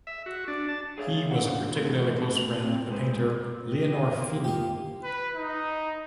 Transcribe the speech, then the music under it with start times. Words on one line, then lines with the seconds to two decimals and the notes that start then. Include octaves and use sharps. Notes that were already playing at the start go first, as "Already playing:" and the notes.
He was a particularly close friend of the painter Leonor Fini.
0.07 E5
0.26 F#4
0.48 D4
0.68 A5
0.98 G#4 C#5 E5 F5
1.31 A#3 C#4 D4 C5 F5 F#5
1.75 E3 F3 A3 B3 C4
2.21 A2 C#3 A5
2.64 C4
2.89 G#3 B4 C5
3.69 G4 D#5
4.06 A#3
4.44 F4 G4 D#5
5.04 B4
5.35 D#4